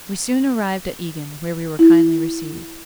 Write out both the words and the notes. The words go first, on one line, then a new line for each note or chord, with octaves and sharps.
We soon arrived at Egan, where we were kindly received.
E4